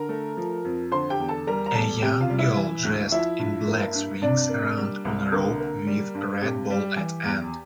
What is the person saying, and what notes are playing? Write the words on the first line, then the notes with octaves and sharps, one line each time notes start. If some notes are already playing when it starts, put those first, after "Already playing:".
A young girl dressed in black swings around on a rope with red ball at end.
Already playing: D3 A#4 A#5
A3
F3
F2
D3 C5 C6
G4 G5
E2
A4 A5
G3 A#4 A#5
A#5
E2 A4 A5
C3 G4 G5
F4 F5
G3
E4 E5
E3
D2
F3 E4 E5
G2
A#3
G2
C3 D4 D5
A#3
G3
C2
D3 A#3 A#4
A#3
G3
G2
C3 G4
G3
E3
E2